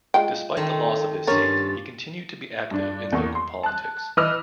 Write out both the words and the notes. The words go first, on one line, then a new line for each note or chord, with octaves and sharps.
Despite the loss of his seat, he continued to be active in local politics.
G#3 F4 G5
D#3 A3 C4
G2 C#4 F4 A#4 C#5 A6
G2 D4
E2 A#3 C#6
C6
A5 F#6
E3 B4 D#5 D6 E6 F6